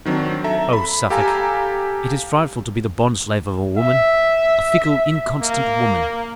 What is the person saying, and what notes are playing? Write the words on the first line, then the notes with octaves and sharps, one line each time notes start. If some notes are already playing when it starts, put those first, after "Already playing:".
Oh, Suffolk! it is frightful to be the bondslave of a woman--a fickle, inconstant woman.
D#3 F#3 C4 D4
A4 E5 A#5
B5
G4 A4 F5 G#5 A#5
E5
A#3